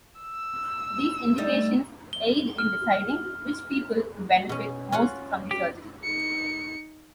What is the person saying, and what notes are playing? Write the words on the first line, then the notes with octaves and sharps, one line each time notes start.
These indications aid in deciding which people would benefit most from surgery.
E6
G3 A3 D#4
G7
F6
B2 C#4
C#4 F4 F#5
G4
D#4 C#7